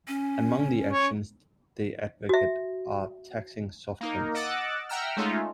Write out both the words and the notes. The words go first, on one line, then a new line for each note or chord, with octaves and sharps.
Among the actions they advocate are taxing soft drinks.
C#4
C#5
F#4 E5
A#3 D#4 A#4
D#5 F#5 D6 E6 F#6 A6
E5 F#5 G5 A#5 E6 F6
G#3 A3 C#4 D#4 F4